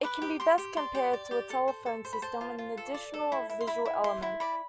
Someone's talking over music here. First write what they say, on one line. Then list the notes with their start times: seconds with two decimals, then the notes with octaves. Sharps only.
It can be best compared to a telephone system with an additional visual element.
0.03 B4 D6
0.22 G4
0.40 G4 C6
0.58 G4
0.77 D5 C6
0.95 G4
1.13 D5
1.31 G4
1.50 A4
1.68 C5
1.86 A4
2.05 C5
2.13 B5
2.22 C5 A5
2.41 F4
2.58 F4
2.77 A4
2.94 D5
3.14 A4
3.32 E4
3.49 E4
3.61 C6
3.67 E4 B5
3.85 E4
4.04 E4 C6
4.22 E4
4.40 D5 B5